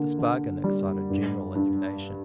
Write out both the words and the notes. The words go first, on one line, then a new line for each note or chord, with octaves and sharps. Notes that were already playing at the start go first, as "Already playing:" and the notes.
This bargain excited general indignation.
Already playing: D3 A#3
D3
G3
G2
G2